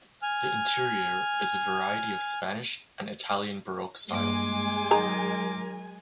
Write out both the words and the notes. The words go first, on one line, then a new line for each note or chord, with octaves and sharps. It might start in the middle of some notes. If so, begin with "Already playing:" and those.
The interior is a variety of Spanish and Italian Baroque styles.
G#5 F6
G2 G#3 A#3 G#5 C6 D6
D#3 F#3 G#4 A#4 A#5